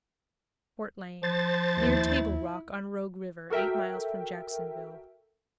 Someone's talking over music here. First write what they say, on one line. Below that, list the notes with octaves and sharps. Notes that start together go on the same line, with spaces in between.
Fort Lane.--Near "Table Rock," on Rogue River, eight miles from Jacksonville.
F3 C5 A6
D#2 E4
F#4 A4 A#4 E5 G5